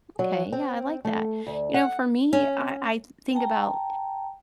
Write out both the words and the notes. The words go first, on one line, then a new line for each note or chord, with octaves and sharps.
Okay, yeah, I like that. You know, for me, I I think about
F#3
C4
A3
D2
F#5
C#4
G5 A5 A#5